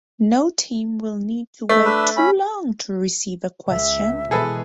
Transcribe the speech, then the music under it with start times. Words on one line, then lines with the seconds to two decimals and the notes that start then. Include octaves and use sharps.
No team will need to wait too long to receive a question.
1.69 A3
1.85 D4 B4 E5
2.17 C#4 B5
3.69 C#2 E5
4.31 B2 E3 G#3 G#4 A4 B4